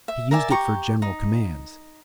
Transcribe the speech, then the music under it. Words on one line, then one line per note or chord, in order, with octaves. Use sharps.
He used it for general commands.
E5
A#4 D5 E5 G#5
G4 A#5 C#6
D#4